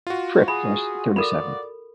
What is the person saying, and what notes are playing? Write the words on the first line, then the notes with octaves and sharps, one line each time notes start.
Fripp was thirty-seven.
F4 F#4
G#4 B5
A4 A#4 D5 B5